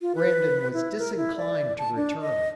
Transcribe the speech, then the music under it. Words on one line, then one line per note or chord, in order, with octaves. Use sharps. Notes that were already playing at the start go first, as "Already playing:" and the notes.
Brandon was disinclined to return.
F4
B4
E4
A#4
E4
D5
A5
D4
D#5